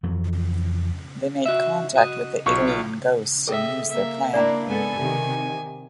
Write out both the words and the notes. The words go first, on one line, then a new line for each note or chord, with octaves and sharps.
They make contact with the alien "ghosts" and use their plan.
F2 E3 F#3
F#4 D#5 E5
F#4 D#5
B1 F4 C#6
F4
G#4 A4 D#5 E5 G5
A#3 E5
A#3 D4 E4 D5 A#5
G#2 B3 A4 G#5
C3 D#3